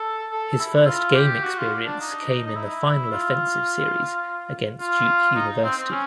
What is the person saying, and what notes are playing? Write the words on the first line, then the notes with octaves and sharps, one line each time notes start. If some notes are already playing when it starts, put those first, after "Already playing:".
His first game experience came in the final offensive series against Duke University.
Already playing: A4
A4
E4
F4
G4
F#4
F4
D4
D#4
D#4
E4
F4
F4
D#4
C4
C4
C#4